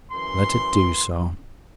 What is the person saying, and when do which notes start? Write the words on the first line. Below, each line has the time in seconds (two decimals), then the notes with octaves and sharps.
"Let it do so."
0.11 F#2 E3 C6